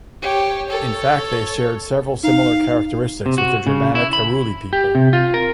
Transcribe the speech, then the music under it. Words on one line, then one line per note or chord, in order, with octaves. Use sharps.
In fact they shared several similar characteristics with the Germanic Heruli people.
G4 C#5
A4 C#5
D#4 F5
C3
F#4
C#3
E4
B5
G4
C3
F4
A#4